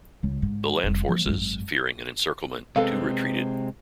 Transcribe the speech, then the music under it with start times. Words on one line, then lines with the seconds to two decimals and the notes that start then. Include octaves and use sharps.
The land forces, fearing an encirclement, too retreated.
0.23 C#2
0.42 G#2
0.84 F1 G3
1.07 F3 A#3
1.25 G#1 F#2
2.76 C3 G#3 B3 C4 A4 F5